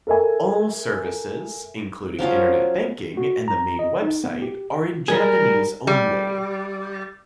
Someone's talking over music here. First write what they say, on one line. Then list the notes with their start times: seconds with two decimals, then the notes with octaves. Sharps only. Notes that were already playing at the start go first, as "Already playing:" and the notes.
All services, including Internet Banking and the main website are in Japanese only.
0.07 A4 A#4 E5 G#5
2.19 F3 F#3 C#4 F4
3.17 F#4
3.48 A#5
3.79 D#5
4.02 D#4
4.24 B3
4.42 G4
5.08 G3 G#4 A#4
5.87 G3